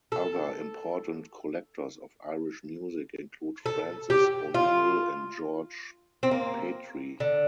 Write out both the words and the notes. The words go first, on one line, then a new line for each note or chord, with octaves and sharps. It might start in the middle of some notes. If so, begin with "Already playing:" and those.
Other important collectors of Irish music include Francis O'Neill and George Petrie.
A4
A4
G4
F4
C4
A#3
D3